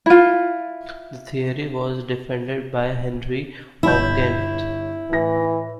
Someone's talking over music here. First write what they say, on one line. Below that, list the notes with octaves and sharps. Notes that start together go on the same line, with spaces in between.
The theory was defended by Henry of Ghent.
E4 F4
G1 E4 C#5 G6
A2 E3 A#6